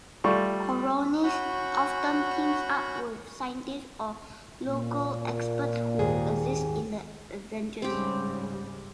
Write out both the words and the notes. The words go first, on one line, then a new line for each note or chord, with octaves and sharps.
Kourounis often teams up with scientists or local experts who assist in the adventures.
G3 A3 F4 C#6
C#4 F#4 F#5 B5 C#6 G6
A#2
D#2 G#2 G#4
G#2 C#3 G3 C4 G4